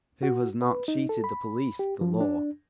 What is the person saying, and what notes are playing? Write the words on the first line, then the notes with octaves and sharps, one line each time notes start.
Who has not cheated the police, the law?
F#4
B4
D#4
A4
B5
G4
F3
D4